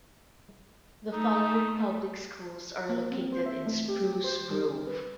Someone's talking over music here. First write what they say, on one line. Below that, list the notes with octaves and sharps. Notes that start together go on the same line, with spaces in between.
The following public schools are located in Spruce Grove.
A3 D#4
A#3
C4
C5
E5
A3
G4
G4
C5
G3
B4